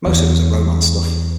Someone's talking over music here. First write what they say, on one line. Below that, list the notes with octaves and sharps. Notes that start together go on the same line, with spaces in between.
Most of it was the romance stuff.
E2